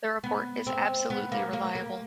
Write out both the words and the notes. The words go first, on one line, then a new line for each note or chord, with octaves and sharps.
The report is absolutely reliable.
B3
C4
B3
A#3
A#3
A#3